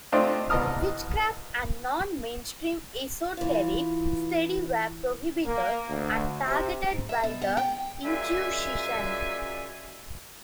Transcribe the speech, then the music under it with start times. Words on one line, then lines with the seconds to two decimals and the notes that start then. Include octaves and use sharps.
Witchcraft and non-mainstream esoteric study were prohibited and targeted by the Inquisition.
0.12 A3 C4 D4 F4 C5 D#5
0.50 C2 B3 D#5 A5 D#6 F6
3.37 E3 F4
5.46 A#3
5.89 D2
6.44 C3
6.91 G#2
7.09 E5
7.24 B2
7.42 B3
7.57 G5
8.05 F#2 G#3 F4 D5 E5 G#5